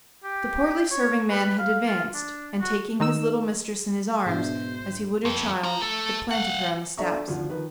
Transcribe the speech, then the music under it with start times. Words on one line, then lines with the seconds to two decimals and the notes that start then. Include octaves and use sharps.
The portly serving-man had advanced, and, taking his little mistress in his arms, as he would a child, had planted her on the steps.
0.24 G4
0.91 C#5
1.29 B4
1.59 F5
1.86 F4
2.14 D4
2.61 F#4
3.00 D#3 D#4 E6 E7
4.26 G#2 B2 F#3 D4 C5 E5
5.25 F2
5.63 D4 A#5
5.80 A3 A4
6.31 F5 F#5
6.98 D4 A4 D5 E5 A#5 C#6
7.28 G#1 D2 F3 F4
7.49 D#3 F3 B4